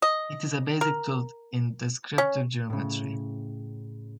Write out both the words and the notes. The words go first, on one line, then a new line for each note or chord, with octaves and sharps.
It is a basic tool in descriptive geometry.
D#5
A#4
C#4
A2 C#3